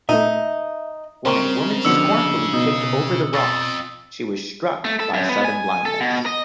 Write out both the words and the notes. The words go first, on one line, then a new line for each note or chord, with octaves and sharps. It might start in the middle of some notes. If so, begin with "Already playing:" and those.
When a woman scornfully kicked over the rocks she was struck by sudden blindness.
A#2 A3 D#4 E5
C#3 C4 A#4 C6 C#6
B2 D3 F3 E6 C#7
B2 D#4 D#6
F2 E6 A6
A3
A4
F#2
B3
G#5
A4
B2
D#5